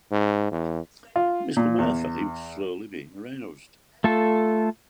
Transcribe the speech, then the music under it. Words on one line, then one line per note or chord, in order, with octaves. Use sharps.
Mr. Murphy was slowly being roused.
G#2
E2
F4
A#2
E2
A3 F4 A4